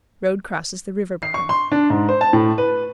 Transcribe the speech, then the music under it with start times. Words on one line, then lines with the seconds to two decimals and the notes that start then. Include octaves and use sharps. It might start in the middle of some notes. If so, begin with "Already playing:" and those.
Road crosses the river bottom.
1.23 C7
1.34 C#6
1.49 C6
1.72 D4
1.90 G#2
2.09 C5
2.21 A5
2.33 A2
2.58 B4